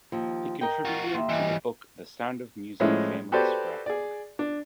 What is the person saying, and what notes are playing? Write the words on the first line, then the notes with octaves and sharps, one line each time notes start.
He contributed to the book "The Sound of Music Family Scrapbook".
D#2 F3
A#4 D#5 G5
F4 F#4
D#2 E5 C6
E3 G3 D#5
A2 F3 G#3 C#4 E4
F#4 G4 A4 B4 C5 D5
G#4 D5
D4